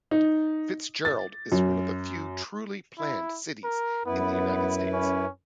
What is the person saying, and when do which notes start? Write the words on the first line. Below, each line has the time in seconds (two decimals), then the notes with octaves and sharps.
Fitzgerald is one of the few truly planned cities in the United States.
0.11 D#4
1.05 A6
1.52 F#2
2.98 E4
3.64 A#4
4.05 F#2 B3 E4 B4
4.93 C#4